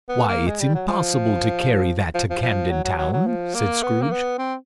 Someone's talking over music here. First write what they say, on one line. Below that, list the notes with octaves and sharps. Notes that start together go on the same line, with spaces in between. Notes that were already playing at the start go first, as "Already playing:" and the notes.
"Why, it's impossible to carry that to Camden Town," said Scrooge.
B3
A#3
G#3
G3
F#3
F3
F3
F3
F3
F#3
F#3
F#3
F#3
F3
A#3
B3
A#3
B3
C4